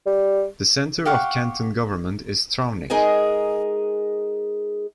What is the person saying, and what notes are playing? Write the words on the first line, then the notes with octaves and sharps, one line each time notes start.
The center of canton government is Travnik.
G3
G4 F5 F#5 C#6
G#3 D#4 G#4 A#4 D#5